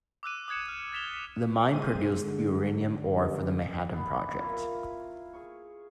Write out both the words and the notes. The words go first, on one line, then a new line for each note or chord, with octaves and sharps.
The mine produced uranium ore for the Manhattan Project.
D6 E6 F#6 D#7
D#6 F#6 G#6 C#7 E7
F6
G#6 A6 B6 E7 F7 G7
B6
C3 G#3 C5 D#7
D3
G2
B3
E4 F4 A#4 C#5
G#4 C#5 C#6